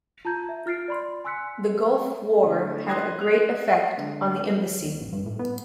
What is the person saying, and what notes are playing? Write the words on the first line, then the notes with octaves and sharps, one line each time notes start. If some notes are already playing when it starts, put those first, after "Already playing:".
The Gulf War had a great effect on the embassy.
F4 A5 A#5 G6 G#6
E5
F4 F6 A6 C7 D7
D5 B5 C6
G#5 C6 E6 F#6 B6 C#7
D3 A3 E4
C6 D#6 F#6 G#6 A#6 C7
F#6 F7
C7
D3 G#3
D#2
A1
G2
A2
B3